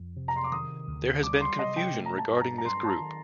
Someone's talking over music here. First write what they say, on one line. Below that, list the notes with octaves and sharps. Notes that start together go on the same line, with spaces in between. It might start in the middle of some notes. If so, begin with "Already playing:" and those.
There has been confusion regarding this group.
Already playing: F2
C3
A#5
C6
D6
D#3 D#6
D2
G3 D6
D6
C6
C3 D#5
G5
A3
A#5
A5
G2
A#5
A#5
G2 C6
A5
A#5
D#3